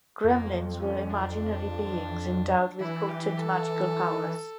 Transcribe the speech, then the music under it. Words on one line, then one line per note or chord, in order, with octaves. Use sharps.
Gremlins were imaginary beings endowed with potent magical powers.
F2 A#3
C#4
D4
E3 E4
G4
A4